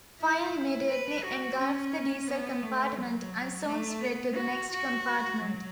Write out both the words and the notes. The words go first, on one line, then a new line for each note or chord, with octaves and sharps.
Fire immediately engulfed the diesel compartment, and soon spread to the next compartment.
E4
B4
F#4
C#4
B3
A3
F#3
A3
B3
F#4
F#4
F#3